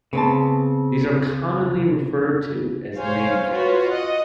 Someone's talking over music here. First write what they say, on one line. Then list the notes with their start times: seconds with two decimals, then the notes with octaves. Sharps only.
These are commonly referred to as nanny cams.
0.13 C#3 B3 C4 A5
2.98 C5 C#5 F5 G#5
3.50 F4 F#4 B4 C#5
3.88 D#5 F#5